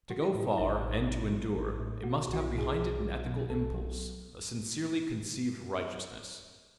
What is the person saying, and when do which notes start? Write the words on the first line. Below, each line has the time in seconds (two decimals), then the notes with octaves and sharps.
To go far and to endure, it must have behind it an ethical impulse, a sincerely conceived righteousness.
0.10 F#3 F#4
0.22 E4
0.35 A2
0.58 A1 D#4
0.83 A1
1.07 A1
1.32 F#3
1.56 A1
1.80 A2
2.04 B2 F#4
2.28 B1 F#4
2.40 E4
2.53 B2
2.58 G#4
2.77 B1
3.01 F#3
3.25 B2
3.50 B1 A4
3.74 F#3